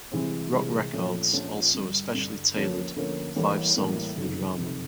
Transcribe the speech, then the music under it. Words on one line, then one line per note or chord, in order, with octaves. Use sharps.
Rock Records also especially tailored five songs for the drama.
C2 C3 E3 G#3 C4
C2 C3 E3 G#3 C4
A#1 A#2 F3 A3 C#4
A#1 A#2 F3 A3 C#4
G2 D3 G3
G2 D3 G3
D2 D3 F3 A#3 C#4
D2 D3 F3 A#3 C#4
A1 A2 E3 G3 A#3
A1 A2 E3 G3 A#3
F#1 F2 C3 D#3
F#1 F2 C3 D#3